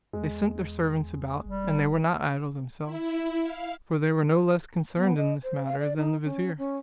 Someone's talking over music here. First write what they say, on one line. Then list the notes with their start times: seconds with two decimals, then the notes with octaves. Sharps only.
They sent their servants about, and they were not idle themselves, for they were no less concerned in this matter than the vizier.
0.13 E2 G#3
1.46 F1 G3
2.83 E4
3.41 F5
4.96 B3
5.17 D#5
5.43 C5
5.66 F5
5.79 D5
5.97 D#4
6.25 C#4
6.58 C#4